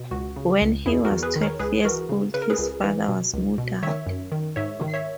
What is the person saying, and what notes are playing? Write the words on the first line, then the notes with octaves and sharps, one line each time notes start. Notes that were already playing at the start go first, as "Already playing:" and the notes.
When he was twelve years old his father was murdered.
Already playing: B2
C#2 F#4
C#3
C#2
E2 E4 G#4
F#4 A#4
E2
G#4 B4
D#3
A#4 C#5
C#2 G#4 B4
E3 F#4 A#4
C#3
C#3 B4
A#4
G#4 B4
C#2
E3
B2
C#2
B2
D#3 C#5 E5
F#2
D#3
G#2 C#5 E5
D#3
C#5 E5